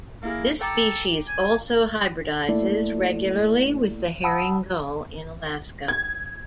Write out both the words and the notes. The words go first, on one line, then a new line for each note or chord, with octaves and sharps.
This species also hybridizes regularly with the herring gull in Alaska.
A#3 E4 G#4 A#4
A4 G5 A#5 D6
G#5
A3 A#3 E4 A4 D5
F#5 A5 B5 D#6 E6
G#6